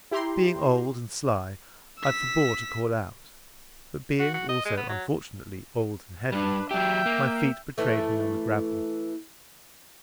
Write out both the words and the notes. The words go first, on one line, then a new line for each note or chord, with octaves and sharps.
Being old and sly, I forbore to call out; but being also, unfortunately, old and heavy, my feet betrayed me on the gravel.
E4 G4 G5 A#5 C6
E6 B6
F#4
F#4
D#5
G#3
B3
F#3
G2 G3 D4 B4
F#3 G4 E5 G5
A#3
E3 A3